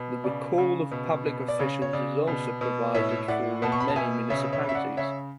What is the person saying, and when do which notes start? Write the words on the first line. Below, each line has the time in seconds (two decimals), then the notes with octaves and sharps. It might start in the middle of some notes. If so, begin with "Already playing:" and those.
The recall of public officials is also provided for in many municipalities.
Already playing: B2
0.24 C#3 D5
0.58 C#3
0.91 B2
1.26 B2
1.48 D5
1.59 C#3 C#5
1.82 C#5
1.93 C#3 D5
2.27 B2
2.61 B2
2.95 A2 C#5 E5
3.28 A2 D5 F#5
3.62 B2 F#5 A5
3.72 C#6
3.80 B5
3.88 A5
3.96 B2 E5 G#5
4.30 C#3 C#5 E5
4.53 C#5 E5
4.63 C#3
4.69 E5
4.75 D5 F#5
4.97 C#3 C#5 E5